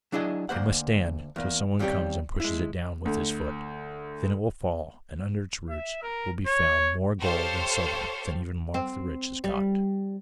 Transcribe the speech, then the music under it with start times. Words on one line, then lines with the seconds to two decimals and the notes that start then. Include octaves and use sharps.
'It must stand till some one comes and pushes it down with his foot. Then it will fall, and under its roots will be found more gold and silver than even Mark the Rich has got.'
0.12 F#3 D4 E4 G#4 D#5
0.49 D2 A#3 C5 F#5
1.36 E2 A#3
1.79 D#2 G3 C4 D4 G4 C#5
2.40 G#3 E4
3.05 D2
5.70 E5
6.02 A#4
6.47 C#5
7.21 G4 A4 C5 C#5 F5 C6
8.74 C4
9.44 G3